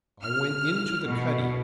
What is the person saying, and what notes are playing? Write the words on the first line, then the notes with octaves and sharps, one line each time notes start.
I went into the cuddy.
F6
B2